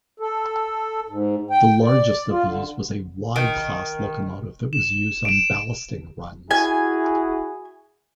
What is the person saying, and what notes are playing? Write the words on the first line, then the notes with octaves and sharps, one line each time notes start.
The largest of these was a Y-class locomotive that was used on ballasting runs.
A4
G#2
G5
D5
F4
D3
D#3
E7
D7 E7
E4 F#4 G#4 G#5